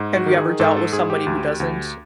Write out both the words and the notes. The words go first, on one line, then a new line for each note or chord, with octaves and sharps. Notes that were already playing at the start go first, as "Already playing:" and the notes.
Have you ever dealt with somebody who doesn't
Already playing: G#2
F#4
D#3
G#4
G#2 A4
A4
G#2 G#4
G4
D2
D2